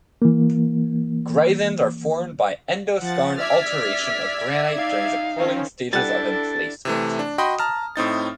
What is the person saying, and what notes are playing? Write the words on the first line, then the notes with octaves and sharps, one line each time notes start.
Greisens are formed by endoskarn alteration of granite during the cooling stages of emplacement.
E3 A#3
F3 F#5 A6
D5 E5 F6 G#6 B6
D#4 F5
D#3 C4 C#4
G3 D4 E4 A4 F#5 A6
C3 E3 A3
D4
F#4 D#5 G5 B5 C6 D#6
A5 A#5 F6
A2 C4 D#4 A6